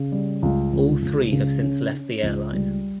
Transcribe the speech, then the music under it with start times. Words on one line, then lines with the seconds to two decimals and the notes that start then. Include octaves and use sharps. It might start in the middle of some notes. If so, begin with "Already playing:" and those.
All three have since left the airline.
Already playing: C#3
0.12 G3
0.42 C#2
0.73 C#2
1.02 C#2
1.32 C#3
1.62 C#4
1.92 C#4
2.23 C#2
2.53 G3